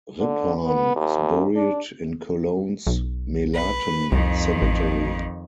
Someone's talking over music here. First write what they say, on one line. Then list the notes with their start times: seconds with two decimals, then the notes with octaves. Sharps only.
Riphahn is buried in Cologne's Melaten cemetery.
0.20 D3
0.64 B3
0.96 D#2
1.56 D4
2.87 B1
3.54 B4
4.12 C2 F2 D#3
4.62 A1